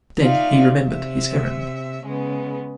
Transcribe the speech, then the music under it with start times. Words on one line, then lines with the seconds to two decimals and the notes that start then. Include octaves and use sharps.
Then he remembered his errand.
0.19 D#4 F4 D5 E5 F5
0.88 C3 E5
2.03 C#3 G#3 B3